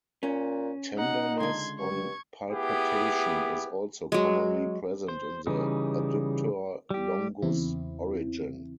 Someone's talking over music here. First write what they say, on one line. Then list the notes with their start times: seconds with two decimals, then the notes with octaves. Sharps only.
Tenderness on palpation is also commonly present in the adductor longus origin.
0.23 A#2 C#4
0.99 D#4 F#5
1.40 C#2 D3 C6 G#6
1.79 G2 C#6 G#6
2.51 B3 E4 G4 G#4
4.12 F#3 G#3
5.08 C5
5.47 C#3 E3 G3 D#4
6.90 G3 G4
7.42 E2 C#3 C4 E4